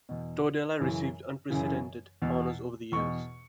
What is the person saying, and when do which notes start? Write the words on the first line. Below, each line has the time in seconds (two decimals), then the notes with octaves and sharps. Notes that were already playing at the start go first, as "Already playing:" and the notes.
Tordella received unprecedented honors over the years.
0.09 E2 B2
0.80 F#2 C#3 E3
1.50 F#2 C#3 E3
2.22 E2 B2
2.92 E2 B2 C#6